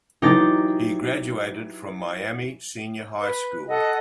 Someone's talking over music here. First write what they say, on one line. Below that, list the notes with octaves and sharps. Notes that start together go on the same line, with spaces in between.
He graduated from Miami Senior High School.
E3 F#3 D#4 G4 A6
B4
A4 D#5 F#5